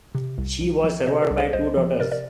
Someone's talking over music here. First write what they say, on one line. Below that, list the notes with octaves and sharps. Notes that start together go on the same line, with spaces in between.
She was survived by two daughters.
C3
C2
C2
F3
C3 C5 D#5
A#4 D5
C2
G#4 C5
C2 C5 D#5
F3
C3 A#4 D5
A#4 D5